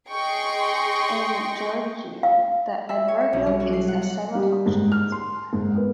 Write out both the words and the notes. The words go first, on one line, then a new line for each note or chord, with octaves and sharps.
In Georgian, the adverbial case has several functions.
G#4 D#5 G5 C6 C#6
F5
E5
C#5
C#7
B1
G3
F#4
C7
F#5
F#5
G3
G#2
F6
C6
G#2
B3